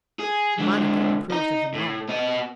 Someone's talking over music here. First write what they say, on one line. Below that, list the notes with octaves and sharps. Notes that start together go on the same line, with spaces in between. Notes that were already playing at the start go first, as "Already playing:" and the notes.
Monica approved of them all.
G#4
D3 G#3
D#5 A#5
A2
B3 D#5